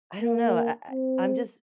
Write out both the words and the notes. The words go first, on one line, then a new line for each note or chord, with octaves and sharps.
I don't know, I I I'm just
A#3
C4